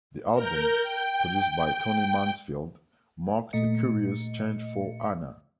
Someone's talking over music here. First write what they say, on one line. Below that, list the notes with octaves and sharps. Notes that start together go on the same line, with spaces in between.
The album, produced by Tony Mansfield, marked a curious change for Ana.
A#4 G6
G5
A#2 A3 D#5 C#7